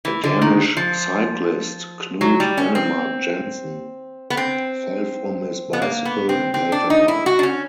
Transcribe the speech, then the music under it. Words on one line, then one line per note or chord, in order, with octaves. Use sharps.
A Danish cyclist, Knud Enemark Jensen, fell from his bicycle and later died.
E3
D3
D#3
F3
F#3
G3
C#4
C4
B3
C4
B3
A#3
B3
C4
C4
D4
D#4
E4
F#4
D4
C#4